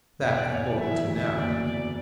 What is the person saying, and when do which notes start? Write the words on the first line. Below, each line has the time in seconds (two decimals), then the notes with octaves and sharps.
That I hold to now.
0.21 E1 E5
0.35 D5
0.50 E2 C#5
0.65 D5
0.78 E3 E5
1.07 D2
1.17 E5
1.36 F#1 D5
1.65 E2 D5